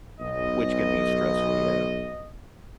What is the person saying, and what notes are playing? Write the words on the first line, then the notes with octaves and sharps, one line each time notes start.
which can be stressful, yeah.
B1 D#5